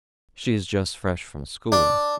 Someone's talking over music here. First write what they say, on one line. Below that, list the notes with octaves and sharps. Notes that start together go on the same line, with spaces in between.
"She is just fresh from school."
D4